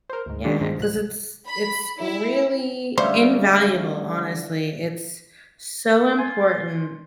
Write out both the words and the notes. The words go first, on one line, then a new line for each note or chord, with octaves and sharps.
yeah, ‘cause it's it's really invaluable, honestly, it's so important.
A#4 C5
D2 G#2
C3 D#3 F#3 G#3 D4
G2 D#3 F3 G#3
C2 G#2 F#6
B5
E4
D3 G3 A3 C#4 C5 D5 E5 F5
F4 G#5 C6